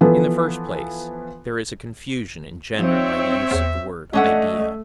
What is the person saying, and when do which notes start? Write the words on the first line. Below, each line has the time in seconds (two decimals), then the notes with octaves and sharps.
In the first place, there is a confusion engendered by the use of the word 'idea'.
0.01 E3 F3 B3 A4
2.78 F3 C4 D#4 C#5 D#5 E5
3.51 E2 C5
4.13 A3 C#4 D4 D#5 F#5